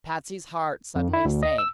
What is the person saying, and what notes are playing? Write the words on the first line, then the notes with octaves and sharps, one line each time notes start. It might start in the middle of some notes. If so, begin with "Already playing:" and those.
Patsy's heart suddenly sank.
F2
E4
D2
D#5
E6